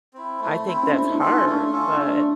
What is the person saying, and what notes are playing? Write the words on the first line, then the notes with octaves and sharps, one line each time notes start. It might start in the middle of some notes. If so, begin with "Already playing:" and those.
I think that's hard, but
C4 E4
A3
C4 E4
C#4
A3 D4
D#4
C#4 F4 A4
D#4
A3 D4
C#4 F4 A4
A3 D4